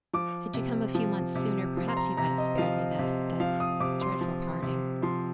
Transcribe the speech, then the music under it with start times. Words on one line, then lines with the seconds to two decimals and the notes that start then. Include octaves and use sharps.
Had you come a few months sooner perhaps you might have spared me that--that dreadful parting.
0.13 F3 D6
0.54 C3
0.95 F3
1.35 C3
1.77 F3
1.88 C6
1.97 A#5
2.17 C3 A#5
2.38 D#5
2.58 F3 F5
2.99 C3
3.40 F3 F5
3.60 D#6
3.80 C3 D6
4.01 C6
4.21 F3
4.63 C3
5.02 F3 C6